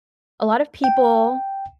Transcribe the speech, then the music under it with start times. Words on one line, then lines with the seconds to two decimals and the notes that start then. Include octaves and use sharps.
a lot of people,
0.84 G5